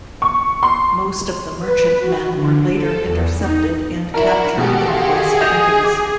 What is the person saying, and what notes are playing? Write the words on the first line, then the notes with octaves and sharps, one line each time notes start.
Most of the merchantmen were later intercepted and captured in the West Indies.
C#6
C6
B4
F#4
D3
A4
E2
D#4
D4 E4 F#4 A#4
B2 D#3 G#3 F#4 G4 A4
G#4 F5 C6
D#5 G6 F7
D6